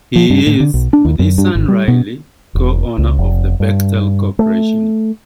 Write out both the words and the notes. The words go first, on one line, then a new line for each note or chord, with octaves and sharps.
He is, with his son Riley, co-owner of the Bechtel Corporation.
F3
G2
A2
D3
B1
D4
D#2
F#2
G2
G#1
G3
B2
E1
C#2
F1
G2
A3